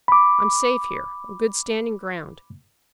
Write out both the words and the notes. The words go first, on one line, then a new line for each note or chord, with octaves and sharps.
I'm safe here, on good standing-ground.
B5 D6